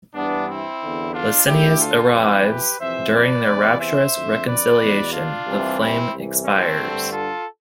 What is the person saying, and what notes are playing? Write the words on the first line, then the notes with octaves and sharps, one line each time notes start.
Licinius arrives; during their rapturous reconciliation, the flame expires.
G2 E3 B3 D4
C4 E4
E2 D3
D4 F4
D2 D3 E4 G4
F4 A4
F2 E3 G4 B4
F2 C3 E3 C5 E5
B4 D5
E2 C3 E3
C5 E5
F2 D3
B4 D5
E2 B2
D4 F4
C2 C3 E3
C4 E4
C2 C3 E3
A3 C4
G2 D3
F4 A4